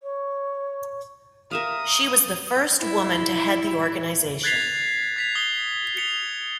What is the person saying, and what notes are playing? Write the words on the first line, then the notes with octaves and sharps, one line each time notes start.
She was the first woman to head the organisation.
C#5
A#4 E5 F5 D#6
E4
F#6 G#6 A6 B6 C7 F7
G#6 B6 F7
D#6 G7
B6 C#7 F7 G7